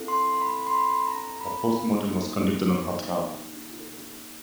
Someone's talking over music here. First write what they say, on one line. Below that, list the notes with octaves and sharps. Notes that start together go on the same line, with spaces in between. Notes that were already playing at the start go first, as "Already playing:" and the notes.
A post-mortem was conducted on Hatab.
Already playing: C4 E4 A4
C6
B5
C6
B5
A#5
B5
A#3 D#4 G4